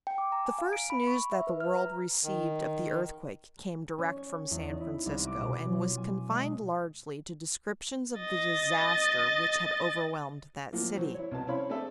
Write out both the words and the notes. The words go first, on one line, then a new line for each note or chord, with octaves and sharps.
The first news that the world received of the earthquake came direct from San Francisco and was confined largely to descriptions of the disaster which had overwhelmed that city.
G5
D6
A#5
G#5
F5
D7
B5
C#6
E5
B4
F6
A#5
D#3
C#4
C#5
E2
D#4
E4
C2
D6
B2
F#3
F4
G#5
G#3
D#5 A6
A2 F3 F#3 A#3
E3 F#3 F#4 C5
E4 C#5
C2 B2 A5
C4 C#4 E4 C#5 F5 B5
A3 C4 D4 G#4 A4 E5